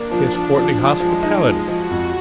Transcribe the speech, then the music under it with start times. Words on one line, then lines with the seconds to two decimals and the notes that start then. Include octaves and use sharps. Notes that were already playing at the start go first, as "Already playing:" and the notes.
His courtly hospitality?
Already playing: A#3 D4
0.11 F3
0.34 F3
0.56 F3
0.78 F3 G#3
1.00 F3
1.23 D#4
1.45 F3
1.67 F3 F#4
1.90 F2